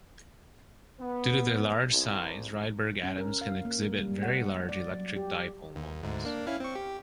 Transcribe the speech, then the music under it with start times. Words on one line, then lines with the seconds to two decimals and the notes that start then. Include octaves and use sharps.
Due to their large size, Rydberg atoms can exhibit very large electric dipole moments.
1.00 B3
1.89 C2
3.03 C#4
3.18 A#4
3.41 F5
3.65 A#3
3.99 G3
4.23 F#5
4.69 D5
4.91 F#3
5.16 G4
5.76 D#2
6.03 D2 G#2
6.25 A#3 D4
6.47 C#4 E4 F5
6.60 C4 C#6
6.75 G4